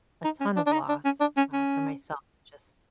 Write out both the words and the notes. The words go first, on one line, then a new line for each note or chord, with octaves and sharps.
a ton of loss, uh, for myself, just
D#4
C#4
D4
D4
D#4
D4
C#4
D4
C#4
C#4